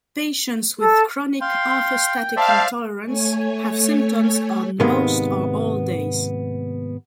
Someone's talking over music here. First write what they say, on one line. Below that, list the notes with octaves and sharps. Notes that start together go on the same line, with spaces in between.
Patients with chronic orthostatic intolerance have symptoms on most or all days.
A4
F5 G5 C6
C5 D5 E5 F5 A5
A3 C#5 G#5
G#2 C3 D#3 G#3 A#3 B3